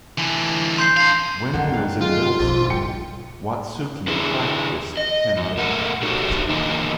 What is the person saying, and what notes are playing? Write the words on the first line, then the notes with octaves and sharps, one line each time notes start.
When he was in middle school, Watsuki practiced kendo.
D3 E3
C6 G6 C7
D4 F5
F#2 D3 D#3 F3
D#3 F5 F#6
G#3 F4
A#1 F2 B2
G2 F3 G5 C#7
D3 E4 G#4 B4
D#5
F#2
A#2 A3 A#4 F#5
D#4 F#4 G4 A4 C5 D5
E2 A#2 D3 D#3 A#3 D#4